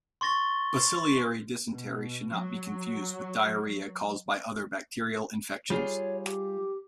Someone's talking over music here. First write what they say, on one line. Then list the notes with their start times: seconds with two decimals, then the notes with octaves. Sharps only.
Bacillary dysentery should not be confused with diarrhea caused by other bacterial infections.
0.21 C6 C#6 A6 A#6 G7
1.68 B2
2.32 F#3
5.70 G3 F4 G#4 C#5
6.25 G4